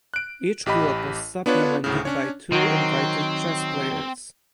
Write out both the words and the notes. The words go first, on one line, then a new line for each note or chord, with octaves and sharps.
Each group was supplemented by two invited chess players.
F#6 D7
A1 G4 D#5 B5
B3 D4 F4 B4 C#5
D2 A2 C#3
C#4 D4 C#5
D#3 F#3 C4